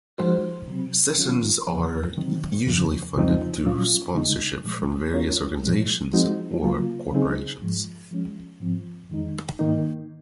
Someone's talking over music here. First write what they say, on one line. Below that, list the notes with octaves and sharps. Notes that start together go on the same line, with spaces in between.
Sessions are usually funded through sponsorship from various organisations or corporations.
F3 G#3 D#4 F#4 C5
C3 F#3 C4
D#3 F#3 C#4 F4
F2 C#3 F3
C3 D#3 F#3 C4
F2 C#3 F3
F2 C#3 F3 C4 D#4
A#2 F#3 C#4 F4
C#3 G#3 D#4
A#2 F3 G#3
G#3 C#4 F4 A#4 C#5
A#2 F3 G#3
F3 G#3 C4 D#4 F#4
C#3 F#3 A#3 F4
C#3 F#3 C4 D#4 G#4
G#2 F3 G#3
F3 G#3 C#4
G#2 F3 C4
F2 D#3 G#3 D#4
G#2 D#3 A#3 D#4